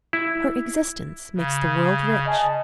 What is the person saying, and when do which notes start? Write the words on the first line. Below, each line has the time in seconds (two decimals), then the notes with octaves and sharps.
Her existence makes the world rich.
0.13 E4
1.36 C#3
2.27 D#5 G#5 A5